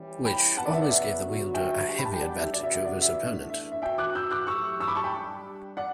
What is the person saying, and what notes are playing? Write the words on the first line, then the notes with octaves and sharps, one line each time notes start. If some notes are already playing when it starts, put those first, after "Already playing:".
Which always gave the wielder a heavy advantage over his opponent.
Already playing: E3 G3 C#4 E4
G5 B5
C#3 F#3 B3 F#5 A5
D5
E5
D5 F#5
E5
D3 F#3 B3 F#4
E5 G5
G3 D4 G4
B5
A5
G5
D5 F#5
E5
C#3 G3 B3 D4 F#4 D5
E5
E5
D5 F#5
E5
E3 A3 D4
E5
E5
E3 B3 F#4 E5 G5
D6 F#6
E6 G6
D6 F#6
F#3 A3 E4 G4 C#6 E6
C#6 E6
B5 D6
A5 C#6
G5 B5
G3 D4 G4
D5 F#5